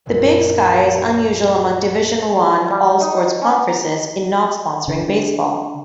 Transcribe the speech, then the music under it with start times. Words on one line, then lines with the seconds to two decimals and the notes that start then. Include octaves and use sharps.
The Big Sky is unusual among Division I all-sports conferences in not sponsoring baseball.
0.06 A#1 F#2 A#2 F#3
2.71 G3
3.01 D#4
3.42 C#4
3.69 A#5
4.88 D3